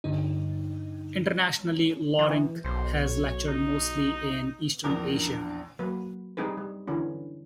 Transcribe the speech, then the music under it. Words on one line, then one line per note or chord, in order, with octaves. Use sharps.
Internationally, Lorenc has lectured mostly in Eastern Asia.
G2 D3 D#4
E3
B1 C5
C#5
D#4
A#1 E2 C#4 D#4 A#4 D6 D#6
D4
F#3 A#3 B4
G3 C4 D#4 G#4 B4
G3
D3 E3 C#4